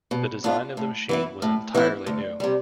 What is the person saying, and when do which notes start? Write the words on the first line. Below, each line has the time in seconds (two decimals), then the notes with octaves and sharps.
The design of the machine was entirely new.
0.11 B2
0.44 B3 D4 F4
0.77 A2
1.09 E3 B3 E4
1.42 A2
1.75 E3 B3 E4
2.07 D2
2.40 C3 G3